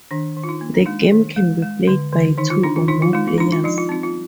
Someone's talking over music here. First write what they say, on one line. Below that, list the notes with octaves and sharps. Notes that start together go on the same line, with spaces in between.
The game can be played by two or more players.
D#3 D4
D#3
F4
D#4
A#3
D4
G#3 D#4
D#3
G#3
G#3
D3
D3
D#3 D#4
F4
D4 D#4
F4
D#3 D#4
F4
G#3 D#4
F4
D4 D#4
F4
F3 D#4
F4
C4 D#4
F4